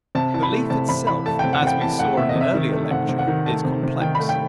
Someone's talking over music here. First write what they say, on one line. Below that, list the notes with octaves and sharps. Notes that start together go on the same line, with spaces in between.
Belief itself, as we saw in an earlier lecture, is complex.
C3 A5
E3 A5
B5
A3
C3 A5
C3 B5
E3 B5
A3 A5
C3 G5
F#5
C3 G5
E3 A5
A3 F#5
C3 E5
D#5
C3
E5
D#3
A3
C3 F#5
C3
F#5
D#3
A3 A5
C3
C3
D#3 G5
A3 B5
G5